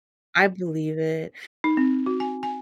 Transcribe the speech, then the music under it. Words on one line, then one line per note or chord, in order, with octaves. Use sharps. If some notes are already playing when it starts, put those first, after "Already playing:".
I believe it.
D#4
C4
F#4
G#5
G#5